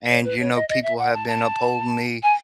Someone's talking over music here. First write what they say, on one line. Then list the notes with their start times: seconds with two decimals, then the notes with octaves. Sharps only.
and, you know, people have been upholding me,
0.09 C#5
0.24 B4
0.39 C#5
0.54 D#5
0.68 D#5
0.82 E5
0.98 F#5
1.13 A5
1.27 A5
2.22 G#5